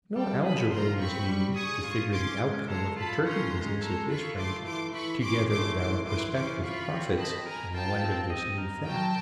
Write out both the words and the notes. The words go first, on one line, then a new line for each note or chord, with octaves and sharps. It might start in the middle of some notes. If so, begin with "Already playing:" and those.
No algebra was needed to figure the outcome of the turkey business at this rate, together with our prospective profits, in the light of this new fact.
G3 G5 A5
G#4 A5 B5
F4 A#5 C6
C4 B5 C#6
G3
G#4 C#6 D#6
F4
C#4 C6 D6
G#3
A4 A#5 C6
F4 A5 B5
C#4 A#5 C6
G#3
A4 A#5 C6
F4 B5 C#6
A3 C6 D6
E3 C6 D6
E3 B5 C#6
C#4 C6 D6
A3 C6 D6
E3 C6 D6
E3 C6 D6
C#4 C6 D6
F4 B5 C#6
C4
D#5 A5 B5
A#4 G#5 A#5
F4 G5 A5
C4
D#5
A#4
F#3 G5 A5